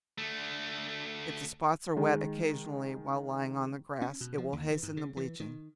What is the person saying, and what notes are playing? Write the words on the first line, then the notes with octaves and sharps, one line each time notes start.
If the spots are wet occasionally while lying on the grass, it will hasten the bleaching.
D3 A3
D#3 G#3
C#4
B2
F3
D#2
E3
G#2
C#3
E3
D#3